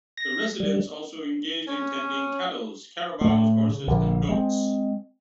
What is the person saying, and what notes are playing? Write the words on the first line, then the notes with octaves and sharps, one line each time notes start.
The residents also engaged in tending cattles, carabaos, horses and goats.
A#6
G3
C#4
A2 A3
C#3
A#1 D3
G#3 C4